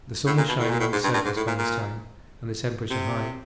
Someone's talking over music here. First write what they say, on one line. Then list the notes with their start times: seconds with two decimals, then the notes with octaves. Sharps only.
The sun was shining on the surface by this time, and the temperature high.
0.26 A2
0.37 A#2
0.48 B2
0.59 A2
0.70 A#2
0.80 A2
0.92 G#2
1.03 G2
1.14 G2
1.25 G#2
1.36 A2
1.47 A#2
1.58 A#2
2.90 C3